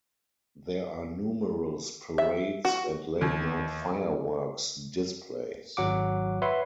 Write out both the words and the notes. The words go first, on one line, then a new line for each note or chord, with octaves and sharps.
There are numerous parades and late night fireworks displays.
E5
F#4
D#2
G#1 F#3 F#5 D6
B4 C#5 E5 F#5 C6